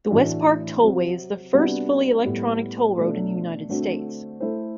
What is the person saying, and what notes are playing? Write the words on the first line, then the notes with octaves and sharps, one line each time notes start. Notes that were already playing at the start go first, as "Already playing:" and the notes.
The Westpark Tollway is the first fully electronic toll road in the United States.
A2 E3 A3 D4 F#4
C3 F#3 C4
C3 G3 B3 D4 F#4
A2 G3 B3
B2 A3 D4
D3 A3 C4 F#4 C5
A3 E4 A4 C5